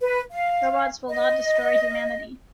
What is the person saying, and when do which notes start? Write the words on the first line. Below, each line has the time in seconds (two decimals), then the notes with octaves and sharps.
Robots will not destroy humanity.
0.02 B4
0.31 F5
1.09 D#5